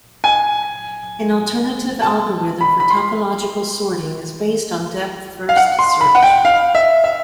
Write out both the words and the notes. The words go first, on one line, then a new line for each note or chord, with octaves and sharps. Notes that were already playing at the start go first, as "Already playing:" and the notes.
An alternative algorithm for topological sorting is based on depth-first search.
G#5
A5
B5
B5
C6
F5
F#5
C6
B5
F#5
G5
F5
E5
E5